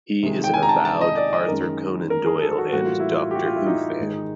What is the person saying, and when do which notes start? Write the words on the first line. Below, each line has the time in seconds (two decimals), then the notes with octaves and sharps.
He is an avowed Arthur Conan Doyle and Doctor Who fan.
0.23 C3 D#3 G#3
0.44 G5
0.54 G#5
0.63 A#5
0.69 A5
0.85 A5
1.01 D#5
1.16 D5
1.33 D#5
1.48 F#2 D#3 G#3 A#4
2.10 A#4
2.26 G#4
2.42 A4
2.58 F#4
2.72 A2 E3 G3 A#3 F#4
2.86 F4
3.00 E4
3.12 F4
3.31 G4
3.35 F#4
3.46 F4
3.56 E4
3.66 D#4
3.99 G#2 D#3 G#3